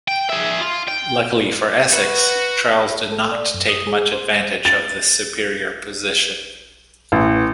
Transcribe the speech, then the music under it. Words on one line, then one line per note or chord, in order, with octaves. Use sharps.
Luckily for Essex, Charles did not take much advantage of this superior position.
G5
G#4 E5
F4
G5
F#4 B4
A4
D5
F#2
D#6
G#4
C5
A6
A1